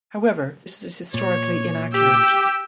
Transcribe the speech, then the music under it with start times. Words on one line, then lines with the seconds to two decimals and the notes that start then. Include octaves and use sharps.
However, this is historically inaccurate.
1.14 A#2 C#5
1.94 G4 G5 E6